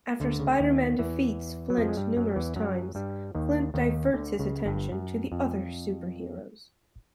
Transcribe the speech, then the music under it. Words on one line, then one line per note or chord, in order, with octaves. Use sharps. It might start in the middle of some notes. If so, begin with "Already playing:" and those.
After Spider-Man defeats Flint numerous times, Flint diverts his attention to other super heroes.
D2 D3
C#3
D3
D#2 D#3
E2 E3
F#3
F2 F3
G#3
G2 G3
F#2 F#3
E2 E3
F#2 F#3
G2 G3
D#2 D#3
D#2 D#3
D2 D3
C#2 C#3
G1 G2
F#2
F2